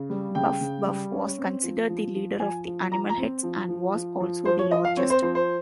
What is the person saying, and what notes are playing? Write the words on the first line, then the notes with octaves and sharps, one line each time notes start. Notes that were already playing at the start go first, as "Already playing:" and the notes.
Buff-Buff was considered the leader of the animal heads and was also the largest.
Already playing: C#3
G3
C#3 G5
C#3
G3
C#4
C4
F3
F3
F3
F3 G#5
F3
F3 A#5
A#5
C4
F3
F3
F3
F3
F3 C5
C#5
F3 D#5
F5
C4 C#5
C5
F3 C5
C5